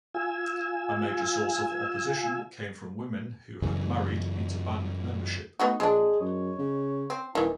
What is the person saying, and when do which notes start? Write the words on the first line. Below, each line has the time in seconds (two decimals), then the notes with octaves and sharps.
A major source of opposition came from women who had married into band membership.
0.14 F4 G#5 E6
3.62 F#2 C#3 E3
5.60 A3 B3 D#4 F#4
5.80 A#1 G#3 D4 G#4
6.20 F#2 C#5
6.59 C#3
7.10 C4
7.35 D#1 D#3 E3 E4